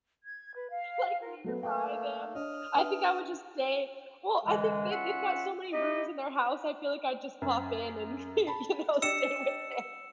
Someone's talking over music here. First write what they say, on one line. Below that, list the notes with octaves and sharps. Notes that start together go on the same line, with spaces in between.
like, nearby them. I think I would just stay Well, I think they've they've got so many rooms in their house, I feel like I'd just pop in and, y you know, stay with them.
G#6
B4
F5
F4 A#4
F#3 A3 B3
A3 A#3 B4 G5
D4 C#5 D#5 D#6 F6
D4 B4 E5
F#2 D3 E3 G#3
C#4 F4 E5 F#5
D#4 E4 G4 D#5
F#2
A5 B5
D4 G4 D#5 E6 C#7 E7